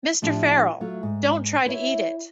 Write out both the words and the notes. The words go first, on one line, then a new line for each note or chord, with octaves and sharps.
Mr. Farrell, don’t try to eat it.
A2 F3 C4 D4 E4 G4
F#3 A3 F4
G#2
E4 C5 C#5 E5